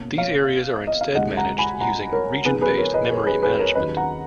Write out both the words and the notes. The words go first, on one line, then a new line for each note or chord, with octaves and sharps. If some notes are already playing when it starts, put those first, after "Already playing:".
These areas are instead managed using region-based memory management.
Already playing: B2 A#3 C#4
C#5 F5
D#5
F5
D#2 C#3 G#3 D#4 D#5 F#5
F#5 A#5
G#5 B5
F#5 A#5
A#4 C#5
C#3 F3 B3 D#4 G#4 B4
G#4 B4
A#4 C#5
B4 D#5
A#4 C#5
G#4 B4
G#4 B4
A#4 C#5
D#2 D#3 F#3 C#4 B4 D#5
F#5 A#5